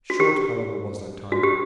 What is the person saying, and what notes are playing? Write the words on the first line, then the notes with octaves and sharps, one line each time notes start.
Short, however, was that time.
F#4
G4
F#4
G4